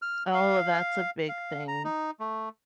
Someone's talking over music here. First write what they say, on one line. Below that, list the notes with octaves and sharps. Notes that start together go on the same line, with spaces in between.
Oh, that's a big thing.
F6
F5
F5
A#5
D#4
A3